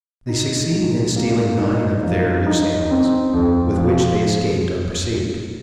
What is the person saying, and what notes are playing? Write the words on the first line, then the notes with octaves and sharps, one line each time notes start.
They succeeded in stealing nine of their loose animals, with which they escaped unperceived.
D#4
G#2
A#3
D#4
F3
D#4
C4
F2
F3